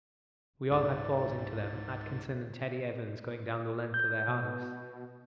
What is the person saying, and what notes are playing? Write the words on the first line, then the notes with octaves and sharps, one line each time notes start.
We all had falls into them, Atkinson and Teddy Evans going down the length of their harness.
C#2 G#2 A6
G6
B2